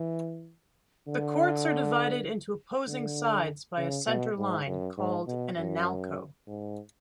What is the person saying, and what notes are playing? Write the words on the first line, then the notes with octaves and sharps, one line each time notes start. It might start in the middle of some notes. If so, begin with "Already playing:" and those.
The courts are divided into opposing sides by a center line, called an "analco".
Already playing: E3
D3
D3
C#3
B2
G#2
F#2
G#2
B2
F#2
G#2